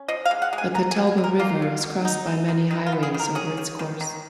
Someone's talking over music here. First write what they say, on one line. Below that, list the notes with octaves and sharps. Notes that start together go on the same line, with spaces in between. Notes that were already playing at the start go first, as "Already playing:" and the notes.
The Catawba River is crossed by many highways over its course.
Already playing: C#4
F3 D#5
F5
G#3
F#5
G#3
G#5
B2 A#5
G#5
B2
G#5
B2
A#4
A#3 F4
B2
B2
D#4
D#4
D#3
D#3 D#4
F4
B3
G#4
D#3
A#4
C#4 G#4
D#3
D#3
D#3